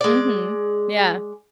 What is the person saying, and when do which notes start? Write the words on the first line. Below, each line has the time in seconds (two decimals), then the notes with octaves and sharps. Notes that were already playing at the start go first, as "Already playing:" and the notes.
Mhm, yeah.
0.01 G#3 D5